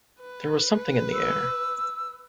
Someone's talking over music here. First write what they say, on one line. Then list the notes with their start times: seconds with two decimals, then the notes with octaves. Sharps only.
There was something in the air.
0.20 B4
1.12 E6